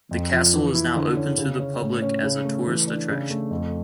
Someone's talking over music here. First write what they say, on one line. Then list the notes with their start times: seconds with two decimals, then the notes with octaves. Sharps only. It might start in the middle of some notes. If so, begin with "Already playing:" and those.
The castle is now open to the public as a tourist attraction.
0.11 F2
0.32 F3
0.53 E3
0.74 E4
0.96 D3
1.17 C#4
1.38 C#3
1.60 C#4
1.81 A2
2.02 C#4
2.23 C#3
2.45 A3
2.66 E3
2.87 D4
3.09 C#3
3.30 A3
3.51 F2